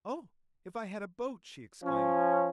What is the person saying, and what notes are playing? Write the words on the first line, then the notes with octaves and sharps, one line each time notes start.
"Oh, if I had a boat!" she exclaimed.
F3 C#4